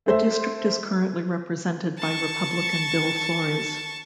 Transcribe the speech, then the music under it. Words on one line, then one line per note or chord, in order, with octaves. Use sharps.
The district is currently represented by Republican Bill Flores.
A3 C5 E5
A5 C#6